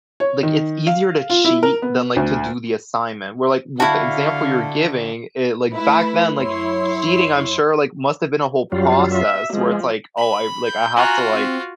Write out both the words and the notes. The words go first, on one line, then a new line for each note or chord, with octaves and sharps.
like, it's easier to cheat than, like, to do the assignment, where, like, with the example you're giving, it like, back then, like, cheating, I'm sure, like, must've been a whole process where it's like, "Oh, I like, I have to, like,
C#5
D#3
F5
F4
E4
A#4
B3
D2
D3 E4 F#4 F5 A5
A3 E4 B4
F#2 E4 C#5 C6
F#2 F#3 G3 F4
E5
F3 G#3
B5
G6
F4 F#4 G#5 A#5 F#6
C4